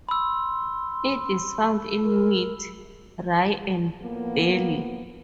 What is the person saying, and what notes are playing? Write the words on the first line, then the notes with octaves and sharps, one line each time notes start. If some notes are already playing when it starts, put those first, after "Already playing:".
It is found in wheat, rye, and barley.
B5 C6 E6
A#4
A2 F3 A#3 B3